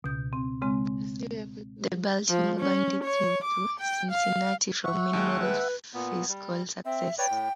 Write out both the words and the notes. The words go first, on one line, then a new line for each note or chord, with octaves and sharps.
The Baltimore Bandits moved to Cincinnati from minimal fiscal success.
C#2 B2 G6
C4
C#3 G#3 C4
F3
C#4
C#5
D6
G5
F5
E5 F#5 C#6
D#2 G#3
B4
A#2 B3
G3
C4 E5
B4 C#5 D5 G5
A2